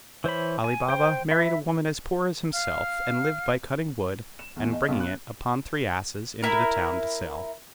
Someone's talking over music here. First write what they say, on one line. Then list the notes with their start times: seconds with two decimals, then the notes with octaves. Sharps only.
Ali Baba married a woman as poor as himself, and lived by cutting wood, and bringing it upon three asses into the town to sell.
0.24 E3 C5 C#5 B5
0.64 G#5
0.89 C5 G5
1.31 E5 B5
2.52 F5 F6
4.39 E7
4.56 E2
4.72 D#5
4.88 B1
5.00 F#6
6.42 E4 A#4